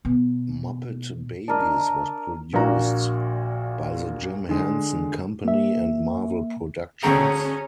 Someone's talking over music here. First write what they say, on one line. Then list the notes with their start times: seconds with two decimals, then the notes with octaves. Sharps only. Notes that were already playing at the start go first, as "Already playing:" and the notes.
"Muppet Babies" was produced by The Jim Henson Company and Marvel Productions.
0.05 B2
1.48 D4 A#4 D#5
2.53 A#1 A#2 A#3 F#4 A#5
4.49 D3 G#3
5.44 A#3 E5
7.03 D2 D3 C#4 G#4 G5 A#5 C#6